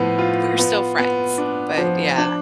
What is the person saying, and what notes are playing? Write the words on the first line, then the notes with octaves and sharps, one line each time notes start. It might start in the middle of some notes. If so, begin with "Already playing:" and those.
we're still friends, but yeah.
Already playing: A2 F3 B3
F4
B3
B3
D4
F3
D4